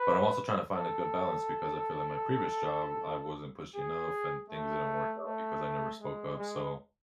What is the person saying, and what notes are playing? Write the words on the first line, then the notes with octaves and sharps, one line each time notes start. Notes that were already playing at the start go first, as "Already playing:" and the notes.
but I'm also trying to find a good balance because I feel in my previous job, I wasn't pushy enough and things didn't work out because I never spoke up. So,
Already playing: B4
A4
G#4
A3
A3
G#3
G#3